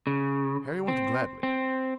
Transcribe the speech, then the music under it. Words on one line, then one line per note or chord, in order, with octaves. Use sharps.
Harry went gladly.
C#3
C4
C4